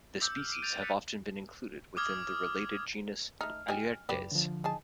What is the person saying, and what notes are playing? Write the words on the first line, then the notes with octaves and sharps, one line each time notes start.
The species have often been included within the related genus "Aleurites".
D6 E6 G6
F6
E6 D7 D#7
G6 A6 D#7 F7
F#6 A6 B6 C#7
D6 D#6 F6 G#6
A3 D#4 F6
G4 D#5 G#5
C#2 F#2 G4 B4 D5
D3 F3
D#4 G#4 A5